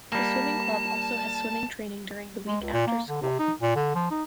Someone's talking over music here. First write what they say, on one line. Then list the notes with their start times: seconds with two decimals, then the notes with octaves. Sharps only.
The swimming club also has swimming training during the week after school.
0.12 G3 A#3 A5
2.47 G#3
2.61 C#2
2.73 A#2
2.87 A#3
3.08 D3
3.22 C3
3.39 D#4
3.61 A#2
3.76 D3
3.95 F3
4.11 D#4